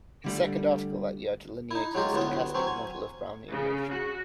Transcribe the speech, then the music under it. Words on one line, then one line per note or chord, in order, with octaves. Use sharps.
His second article that year delineated a stochastic model of Brownian motion.
D3 G3 A3
D#4 E4
F#3 G#3 F4 G4 D#5
D2 A2 B3 E5
F#3 C4 C#4
G#5
C#3
F#4